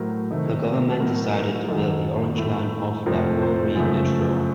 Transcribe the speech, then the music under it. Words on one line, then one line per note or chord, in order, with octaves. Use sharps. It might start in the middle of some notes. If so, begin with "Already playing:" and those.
The Government decided to build the Orange Line of Lahore Metro.
Already playing: A2 F#3 A3 A#4 C5
C3 D#3 A3
A2 F#3 A3 A#4
A#4
F#2 D#3 F#3 A4
A2 A3
F2 C3 F3 A3 A#4
C5
F#2 C#3 F3 A3